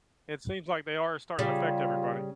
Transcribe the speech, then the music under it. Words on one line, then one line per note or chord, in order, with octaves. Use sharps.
it seems like they are starting to affect everybody.
C#3 G3 F4